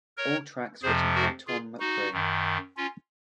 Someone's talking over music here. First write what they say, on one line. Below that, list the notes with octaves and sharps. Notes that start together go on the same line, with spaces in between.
All tracks written by Tom McRae.
A#4 C#5
F2 C3 F3 G#4 C5
F#4 A#4
F4 G#4
D#4 F#4
F#2 D#3
C#4 F4